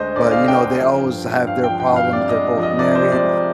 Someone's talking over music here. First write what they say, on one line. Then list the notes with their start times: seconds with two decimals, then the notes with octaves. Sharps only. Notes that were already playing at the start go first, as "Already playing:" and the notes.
but, you know, they always have their problems, they're both married,
Already playing: D2 D3 G#3 C5 D#5
0.15 D2 D5
0.32 F5
0.38 D3
0.48 G5
0.59 D2
0.65 G5
0.81 F3
1.03 G2
1.26 G#3
1.47 G2 F5
1.64 G5
1.69 F3
1.80 G5
1.91 G2
1.96 F5
2.13 C3 D5
2.29 D#5
2.35 G#3
2.57 F3
2.63 D#5
2.79 C2 D5
2.95 C5
3.00 C3
3.12 D5
3.23 G#3